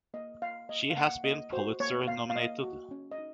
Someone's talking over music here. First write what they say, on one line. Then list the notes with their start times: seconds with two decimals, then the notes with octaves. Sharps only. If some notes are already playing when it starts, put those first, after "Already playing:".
She has been Pulitzer-nominated.
0.14 A#3 D#5
0.42 A#3 F5
0.69 A#3 D#5
0.90 F5
0.97 A#3 F#5
1.24 A#3 D#5
1.52 F#4 C5
1.80 A#3 C#5
2.08 A#3 F5
2.30 F5
2.36 A#3 D#5
2.63 F#4
2.91 C#4
3.11 D#5
3.18 D#4